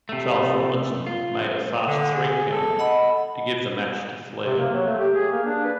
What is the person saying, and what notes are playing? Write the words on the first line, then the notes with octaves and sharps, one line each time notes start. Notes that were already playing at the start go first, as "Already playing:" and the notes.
Charles Robinson made a fast three count to give the match to Flair.
C3 A3
F4
D3
G#4
A4
D#5 F#5 B5
C3
A#3
F#3
A3
G4
G#4
A#3
D4
B4